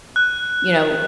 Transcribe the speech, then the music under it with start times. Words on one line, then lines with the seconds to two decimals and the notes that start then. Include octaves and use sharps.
you know,
0.16 F#6